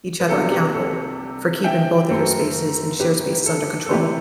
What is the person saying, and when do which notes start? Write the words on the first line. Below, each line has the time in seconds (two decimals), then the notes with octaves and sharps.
each other accountable for keeping both of your spaces and shared spaces under control.
0.20 B4
0.29 C2 C3 F#3 B3 D4 A4
0.51 G4
0.74 A4
1.64 E5 G5
2.09 F#2 F#3 A3 A4 C5
3.00 G4 B4
3.46 A4
3.86 A4
3.90 C3 E3 A3 G4 B4